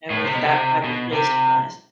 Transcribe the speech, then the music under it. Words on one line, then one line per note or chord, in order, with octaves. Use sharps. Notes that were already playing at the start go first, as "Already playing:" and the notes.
I was that I was really surprised.
A2
C3
B2
C3
B2
C3